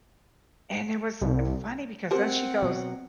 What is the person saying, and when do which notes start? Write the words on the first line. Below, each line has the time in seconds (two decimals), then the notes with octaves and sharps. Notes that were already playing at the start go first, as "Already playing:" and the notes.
And it was funny because then she goes,
1.21 C2
2.11 C4 G4 A#4 C5 F#5
2.63 B2 F#3